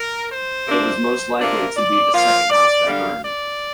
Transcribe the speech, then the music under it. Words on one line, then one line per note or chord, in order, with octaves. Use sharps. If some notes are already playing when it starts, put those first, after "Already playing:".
It was most likely to be the second house that burned.
Already playing: A#4
C5
C3 A#3 D4
C3 A#3 D4 F4 A#4
D5
F3 A#3 F4 F5
D5
D3 G3 D4 F5
D5